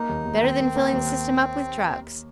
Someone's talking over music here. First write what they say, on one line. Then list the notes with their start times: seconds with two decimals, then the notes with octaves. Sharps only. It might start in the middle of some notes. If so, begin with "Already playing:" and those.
Better than filling the system up with drugs.
Already playing: A#3 D#4
0.09 D#2
0.25 D#2
0.42 D#2 C4
0.60 A#3
0.75 A#3
0.93 D#2